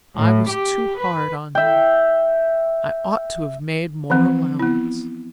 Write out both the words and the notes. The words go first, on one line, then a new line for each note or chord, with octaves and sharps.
I was too hard on you--I ought to have made more allowance.
A2
G4
B4
E5 G5
E3 F3 C4
B3 E4